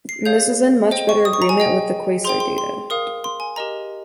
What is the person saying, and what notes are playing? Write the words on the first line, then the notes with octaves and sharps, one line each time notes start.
This is in much better agreement with the quasar data.
C7
G#4 C#5 F5 G6
C5 D#5 G5
C#6
D#6
C#6
A#5
G#5
G#4 D#5 G5
G#4 C5 G5 C6
C6
C6
A#4 F5 D#6
C6
G#5
G4 A#4 D#5 A#5